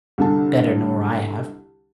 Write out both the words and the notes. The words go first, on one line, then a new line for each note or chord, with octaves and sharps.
Better nor I have.
C2 D3 A5